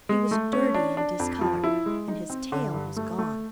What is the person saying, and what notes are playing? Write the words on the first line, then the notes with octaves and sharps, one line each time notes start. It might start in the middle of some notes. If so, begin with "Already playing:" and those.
He was dirty and discolored, and his tail was gone.
G#3
A3
C#4
D4
D4
F2
F3
E4
G#3
D#4
C4
D3
G2
A3
A3